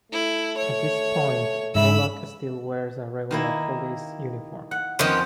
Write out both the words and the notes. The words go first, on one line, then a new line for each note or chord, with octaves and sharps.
At this point, Bullock still wears a regular police uniform.
A3 E4
C#5
G#2 E5 B5 E6
D#3 A#3 E4
F#5
F2 D#3 B3 C#4 C5